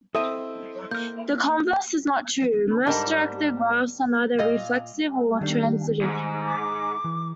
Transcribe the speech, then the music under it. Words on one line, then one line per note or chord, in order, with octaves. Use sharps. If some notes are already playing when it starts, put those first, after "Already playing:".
The converse is not true: most directed graphs are neither reflexive nor transitive.
C4 E4 A4 D#5 E5 D#6 D#7
A#3 F6 G6
G#2 G3 D4 A#4 A5
A#2 D#5 F5
D#3 G3 D4
G#2
D6
E3